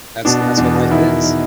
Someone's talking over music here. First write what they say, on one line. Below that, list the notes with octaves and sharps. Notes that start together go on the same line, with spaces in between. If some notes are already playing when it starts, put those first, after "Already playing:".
that's that's what life is.
B2 D4
B2
E2 D4
B2
D#3 E4
D#3
D#3